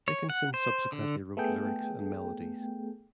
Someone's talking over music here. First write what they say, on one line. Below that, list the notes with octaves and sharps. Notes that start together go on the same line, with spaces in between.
Dickinson subsequently wrote lyrics and melodies.
C#5
F#5
C5
D3
A3 B3 G#4 A4 G5